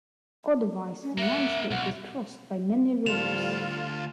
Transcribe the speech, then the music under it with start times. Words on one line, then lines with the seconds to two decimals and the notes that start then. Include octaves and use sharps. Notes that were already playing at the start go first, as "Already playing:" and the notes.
Otherwise the landscape is crossed by many rivers.
1.03 C#4
1.18 A#3 E5 F#5
1.71 B1 F#5
3.06 D2 A2 F3 G3 F4 A4 E7 F7